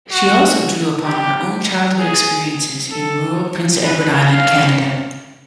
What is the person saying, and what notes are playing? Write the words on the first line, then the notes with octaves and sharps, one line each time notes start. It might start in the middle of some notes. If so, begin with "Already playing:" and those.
She also drew upon her own childhood experiences in rural Prince Edward Island, Canada.
F#4
G4
G#4
A4
B4
F5